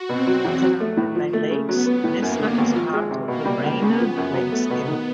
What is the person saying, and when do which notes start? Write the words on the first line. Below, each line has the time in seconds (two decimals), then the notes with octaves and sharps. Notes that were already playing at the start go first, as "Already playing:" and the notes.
Surrounded by lakes, Nisswa is part of the Brainerd Lakes Area.
Already playing: F#4
0.09 B2 C4
0.27 F#3
0.45 E2
0.63 F#3
0.80 A3
0.97 A2
1.15 F3
1.33 A3
1.51 C#3
1.69 F#3 B3
1.86 B3
2.04 A2
2.22 F#2 A#3
2.39 D3
2.58 G#1
2.75 F3
2.93 G#3
3.11 C3
3.28 B2 A#3
3.45 G3
3.64 C#2
3.81 C#3 B3
4.00 F3
4.17 F#2
4.34 F#3
4.52 A3
4.70 B2
4.88 D#3